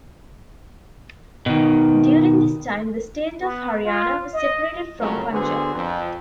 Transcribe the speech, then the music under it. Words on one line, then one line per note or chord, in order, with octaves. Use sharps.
During this time, the state of Haryana was separated from Punjab.
B2 D#3
B3
F4
D#5
C2 F2 C#3 F#3 A3 A#4
D3 B3 F#4 G#4 B4 C5
F2